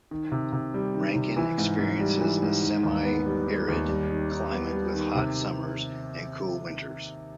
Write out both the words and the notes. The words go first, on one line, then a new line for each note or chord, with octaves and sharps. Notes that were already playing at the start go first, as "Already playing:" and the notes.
Rankin experiences a semi-arid climate with hot summers and cool winters.
D#3
C3
C3
G3
D#3
C3
E3
G#2
G#2
G3
E3
G#2
D#3
D#2
B3
G3
D#3
D#2
G3
D#3
D#4
B3
G3
D#3
C3